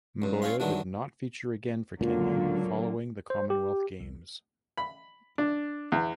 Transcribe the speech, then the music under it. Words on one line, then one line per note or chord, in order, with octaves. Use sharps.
Mboya did not feature again for Kenya following the Commonwealth Games.
C#2 G2
C4 C#4 F4 F5 C6
G2 D#3 E3 F#3 G#3 D4
D1 C#2 A#2 D3 F#3 A#3 F4
C5
G4
C2
B5
D4
E2